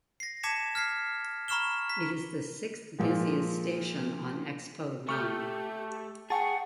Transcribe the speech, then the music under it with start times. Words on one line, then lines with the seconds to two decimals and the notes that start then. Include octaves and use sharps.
It is the sixth-busiest station on Expo Line.
0.20 A#6 C7
0.43 A5 D6 G#6 B6 C#7 E7
0.75 F6 G#6 B6 C7
1.48 A#5 B5 C#6 F6 E7 G7
1.90 B6
2.98 A#2 F3 G#3
5.09 A3 G4 C#6 F6 G6
6.30 G#4 F#5 G5 A5 C#6